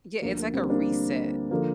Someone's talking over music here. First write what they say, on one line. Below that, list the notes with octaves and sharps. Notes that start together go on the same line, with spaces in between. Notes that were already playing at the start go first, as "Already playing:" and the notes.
Yeah, it's like a reset,
D2 D3 F3 A#3
A#3
G3 C4
A#3 D4
D3 F3 A#3